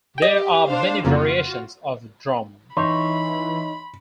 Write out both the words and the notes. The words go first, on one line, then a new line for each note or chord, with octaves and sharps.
There are many variations of 'Drom'.
G4 D#5 G5
D4 C5 F5
F2 C#3 A#3 F4 F#4
E3 D#4 C#5 B5 C6